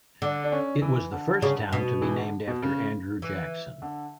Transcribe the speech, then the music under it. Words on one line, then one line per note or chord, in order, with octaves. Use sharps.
It was the first town to be named after Andrew Jackson.
D3 D4
D4
C#4
E3
D3
C#3
B2
E3
D3
B2
C#3
E3
D3